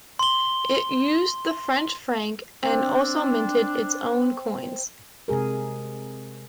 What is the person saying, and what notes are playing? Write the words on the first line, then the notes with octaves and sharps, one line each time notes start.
It used the French franc, and also minted its own coins.
C6 G7
C4 D4
C3 G#3 G#4 A#4